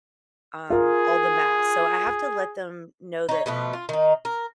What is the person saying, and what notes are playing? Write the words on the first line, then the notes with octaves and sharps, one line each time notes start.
um, all the math. So, I have to let them know that
F4 G#4 A#4
D#4 C#5
B2 F3 A3 B4
F4
D#3 D#4
A#4